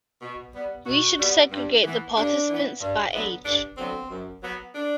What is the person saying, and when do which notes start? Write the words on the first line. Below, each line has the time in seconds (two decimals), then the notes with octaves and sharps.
We should segregate the participants by age.
0.22 B2
0.54 G3 B3
0.86 B2 F#4
1.19 G3 B3
1.51 G2
1.84 E3 B3
2.16 G2 D4
2.48 E3 B3
2.81 G2
3.13 D3 F#3 B3
3.45 G2 D4
3.77 D3 F#3 B3 C4
4.10 F#2
4.42 F#3 B3
4.74 D4